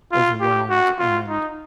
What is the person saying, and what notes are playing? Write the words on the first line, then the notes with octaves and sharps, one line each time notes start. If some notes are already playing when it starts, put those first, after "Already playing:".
overwhelmed and
F4
G4
F#4
F4
D#4